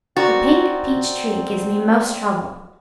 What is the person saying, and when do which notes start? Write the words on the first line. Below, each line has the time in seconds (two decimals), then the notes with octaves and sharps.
The pink peach tree gives me most trouble.
0.17 C4 F#4 D5 A#5 A6